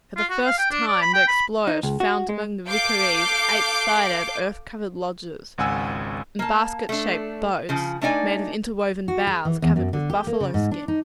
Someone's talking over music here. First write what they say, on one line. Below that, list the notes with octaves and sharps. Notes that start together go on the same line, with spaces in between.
For the first time the explorers found among the Rickarees eight-sided earth-covered lodges, and basket-shaped boats made of interwoven boughs covered with buffalo skins.
F4
F#4
F5
G5
D4
D5
B5
G5
B5
D#4
C#2
F#4
G#3
A4 F5 D6 G6 C7 D7
G#1 C#2 F#5 G#5 E6
A#3 A5
A3 D4
C#3 F3
A3 D4 D#4 D5 G#5
F#4
G#4
E3
E2
F#2
D3
G4
A#3
C#3
G#2
D4
D#4